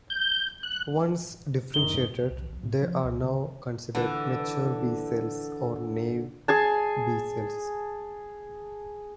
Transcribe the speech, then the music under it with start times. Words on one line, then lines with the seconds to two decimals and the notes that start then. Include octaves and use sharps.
Once differentiated, they are now considered mature B cells, or naive B cells.
0.10 G6
0.63 F#6
1.74 F#1 D#3 G7
2.31 C2
2.50 B1
2.63 A2
2.82 F3
3.04 C#2
3.24 C#3
3.95 D3 E3
6.48 G#4 G#5 A5